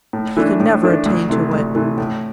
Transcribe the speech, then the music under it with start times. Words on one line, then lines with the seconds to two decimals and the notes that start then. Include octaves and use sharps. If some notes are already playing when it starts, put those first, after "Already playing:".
He could never attain to it.
0.13 A2
0.37 E3 A3 D4
0.60 A2
0.83 E3 A3 D4
1.06 D2
1.29 C3 E3 A3
1.52 D2
1.75 C3 E3 A3
1.98 A2